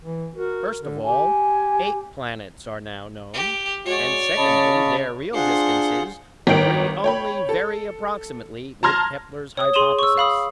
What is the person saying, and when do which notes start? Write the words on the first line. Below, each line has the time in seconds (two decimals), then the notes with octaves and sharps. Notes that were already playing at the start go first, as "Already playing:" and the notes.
First of all, eight planets are now known; and secondly, their real distances agree only very approximately with Kepler's hypothesis.
0.02 E3
0.36 F#4 A#4
0.81 D3
1.05 G4 G#5
3.34 G4
3.85 G#3 F#4 C#5 D5
4.37 C#3 D#5 A5 B5
5.34 D4 F4 G#4 C5 F#5
6.47 G1 D#3 G5 D7
7.04 C#5 G5 B5
7.49 A4
8.83 A5 A#5 C6 F6 G#6 A#6
9.57 C#5 D#6
9.73 G#4 C6 D#7 E7 G7
9.99 C#6 E6
10.18 F5 B5 D#6